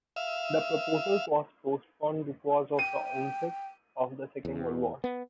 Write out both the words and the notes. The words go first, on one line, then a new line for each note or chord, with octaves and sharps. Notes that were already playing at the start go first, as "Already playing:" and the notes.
The proposal was postponed because of the onset of the Second World War.
E5 F5
G5 D#7
E2
B3